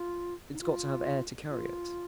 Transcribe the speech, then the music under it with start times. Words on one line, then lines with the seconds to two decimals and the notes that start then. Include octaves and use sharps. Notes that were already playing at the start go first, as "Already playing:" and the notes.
It's got to have air to carry it!
Already playing: F4
0.54 D#4
0.61 F4
1.50 F4